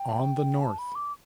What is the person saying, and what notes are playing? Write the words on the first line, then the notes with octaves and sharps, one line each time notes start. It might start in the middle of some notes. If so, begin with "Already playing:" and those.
On the North.
Already playing: G5
A5
B5
D6